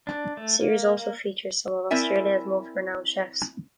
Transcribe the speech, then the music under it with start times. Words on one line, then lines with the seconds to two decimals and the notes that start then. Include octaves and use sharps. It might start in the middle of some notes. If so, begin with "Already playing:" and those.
The series also features some of Australia's most renowned chefs.
0.07 D4
0.37 A3
0.60 A#3
0.97 A#3
1.91 C4 E4 A#4 D5 E5 G#5